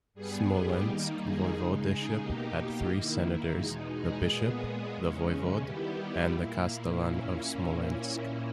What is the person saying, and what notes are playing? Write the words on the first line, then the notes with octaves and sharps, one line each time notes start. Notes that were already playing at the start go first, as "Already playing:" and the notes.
Smolensk Voivodeship had three senators: the Bishop, the Voivode, and the Castellan of Smolensk.
G2 G3 B3 G#4
G4
D#3 G3 A#3 D#4 G4
G#4
C#3 G#3 D#4 G#4
G#4
B2 A#3 D#4 G4
D#3 A#3 E4
E2 B2 G#3 D#4 G#4
G#4
A#2 G#3 B3
E2 C#3 G#3 C#4
D#3 G3 B3 E4 G4
A#2 A#3 E4
A#2 A#3 C#4 E4